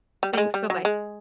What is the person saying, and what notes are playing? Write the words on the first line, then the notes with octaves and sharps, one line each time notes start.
Thanks, bye-bye.
G3
G3
G#3
G3
F#3
G#3